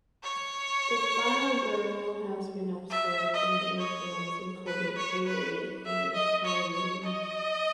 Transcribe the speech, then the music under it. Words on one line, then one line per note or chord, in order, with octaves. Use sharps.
The final girl has been observed in many films including "Alien" and "Halloween".
C#5
E5
D#5
C#5
B4
C#5
B4
E5
D#5
C#5
C#5
D#5